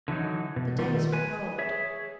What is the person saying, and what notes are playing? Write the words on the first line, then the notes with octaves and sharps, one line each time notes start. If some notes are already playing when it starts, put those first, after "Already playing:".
The days were cold.
D3 E3 F#3 D#4
B2
D#3 G3 A3 F4
B4 G#5
G#4 C#5 E5